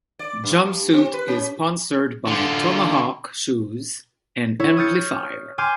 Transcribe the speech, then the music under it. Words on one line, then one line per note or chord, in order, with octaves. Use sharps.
Jumpsuit is sponsored by Tomahawk Shoes and Amplifiers.
D5
G2
C4
B4
C#4
D3 F4
E4 C#5
D#6 F6 G6 A6 C#7
G#5 C6 D6 F6 G6